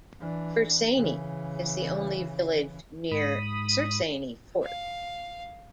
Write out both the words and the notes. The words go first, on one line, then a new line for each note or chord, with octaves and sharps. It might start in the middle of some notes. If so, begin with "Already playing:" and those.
Bersaini is the only village near Sersaini Fort.
E3 D4
C#3 E3
G#2 B5 D#6
F5